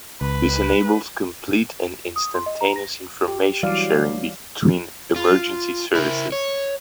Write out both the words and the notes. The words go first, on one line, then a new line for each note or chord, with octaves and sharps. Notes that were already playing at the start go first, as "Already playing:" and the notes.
This enables complete and instantaneous information sharing between emergency services.
C#2 B4
D#6
C6
D#5
A#5
A#6
G4
E3 F#3 G3 D5 F5
F4
E4 A#4
C#5